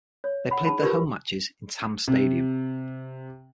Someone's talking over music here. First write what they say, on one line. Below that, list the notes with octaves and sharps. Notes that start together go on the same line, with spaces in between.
They played their home matches in Tamme Stadium.
C#5
F#5 B5
D#4 G#4 A5 B5
F4 G4 A#4 B4
C3